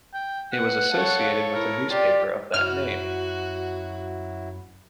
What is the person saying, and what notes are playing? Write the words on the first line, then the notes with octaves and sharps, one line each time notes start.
It was associated with a newspaper of that name.
G5
B4 F#5
A4 C#5 F5
E4 A#4
F4 G4 D5
F#2 F#3 E4 F#4 F6